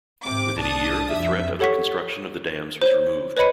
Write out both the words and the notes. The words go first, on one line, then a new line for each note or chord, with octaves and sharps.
Within a year, the threat of the construction of the dams was removed.
G#1 C3 D6
C2 D4 A5 D#6
F2 E5
G4 A4 C#5 F#5 C#6 B6
C5 C#5
B4 C#5 D#5 B5 C#7 D#7